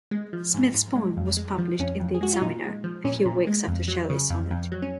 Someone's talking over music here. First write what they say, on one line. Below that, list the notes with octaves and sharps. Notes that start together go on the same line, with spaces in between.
Smith's poem was published in "The Examiner" a few weeks after Shelley's sonnet.
G#3
F3
G#2
G#2
G#3
F2
G#3
F3
F2 C#4
F2
G#4
G#3 F#4
F4
A#2 D#4
G#3
F3
A#2 C#4
A#2
G#3
F2
F#3
C#3
F2
F2
F#3
C#4